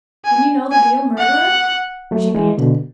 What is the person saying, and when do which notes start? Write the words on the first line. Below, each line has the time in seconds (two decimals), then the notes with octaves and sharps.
"Then you know the real murderer?" she panted.
0.25 G#5
0.71 G#5
1.18 F#5
2.11 F#3 A3
2.34 E3 G#3
2.58 B2 D3